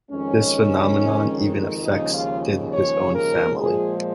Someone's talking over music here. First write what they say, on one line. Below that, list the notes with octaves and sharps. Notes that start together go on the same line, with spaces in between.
This phenomenon even affected his own family.
F2 D#3 G#3 C#4
D#2 C#3 F3 G#3 D#4
F4
C#5
A#4
A#2 F3 G#3 G#4